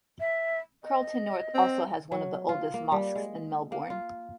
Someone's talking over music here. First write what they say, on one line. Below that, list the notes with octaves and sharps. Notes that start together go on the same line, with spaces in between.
Carlton North also has one of the oldest mosques in Melbourne.
E5
D#5
C4
F#3
F4
A#3
G3
G#3
A#3
F4